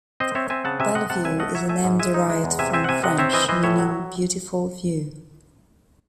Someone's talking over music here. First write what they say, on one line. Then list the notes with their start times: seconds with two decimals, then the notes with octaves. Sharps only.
Bellevue is a name derived from French meaning "beautiful view".
0.20 C4 C5 D#5
0.35 C4 C#5 E5
0.50 C4 E5 G#5
0.65 C#3 F#5 A5
0.80 C3 E5 G#5
0.95 C3 D#5 F#5
1.10 C3 F#5 A5
1.25 C2 E5 G#5
1.40 A3 D#5 F#5
1.55 F#3 C#5 E5
1.69 A3 E5 G#5
1.84 G#2
2.00 G#3 E5 G#5
2.14 D#4
2.30 G#3
2.44 E2
2.59 C3 E5 G#5
2.73 C4 E5 G#5
2.84 F#5
2.89 C3 E5 G#5
3.03 C3 D#5 F#5
3.18 C4 C#5 E5
3.33 E3 C5 D#5
3.48 E3 C5 D#5
3.63 A2 C#5 E5
3.79 F#3